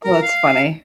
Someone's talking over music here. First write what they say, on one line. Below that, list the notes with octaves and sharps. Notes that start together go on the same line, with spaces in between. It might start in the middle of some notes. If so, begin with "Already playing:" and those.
Oh, that's funny.
A#4
F5